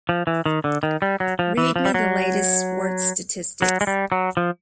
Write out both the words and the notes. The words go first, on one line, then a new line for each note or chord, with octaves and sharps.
Read me the latest sports statistics.
F3
E3
D#3
D3
D#3
G3
F#3
F3
E3
F3
G3
F#3
F#3
G#3
G3
F#3
F3